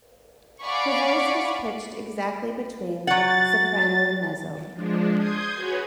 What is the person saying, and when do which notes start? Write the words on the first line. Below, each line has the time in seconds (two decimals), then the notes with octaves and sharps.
Her voice was pitched exactly between soprano and mezzo.
0.61 D5 F5 F#5 G#5 B5 C#6
3.07 F#3 F#5 A6
4.73 F3 G#3 D4
5.16 C6 D#6 G6 G#6
5.54 F#4 G#4 B4 C#5